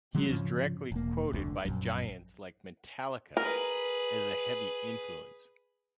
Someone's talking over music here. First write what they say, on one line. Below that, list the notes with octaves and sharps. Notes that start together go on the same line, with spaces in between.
He is directly quoted by giants like Metallica as a heavy influence.
D3 F#3 G#3
G#2 C#3 F3 C#4
E1 A#3
F1 D2 G#2 D3
A#1 F#2
G#4 A#4 B4